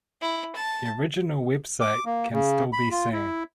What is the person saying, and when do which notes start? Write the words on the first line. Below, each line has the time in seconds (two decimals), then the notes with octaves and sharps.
The original web site can still be seen.
0.22 E4
0.56 A5
1.81 D6
2.05 A#3
2.33 C#3
2.73 B5
2.91 F4
3.13 E4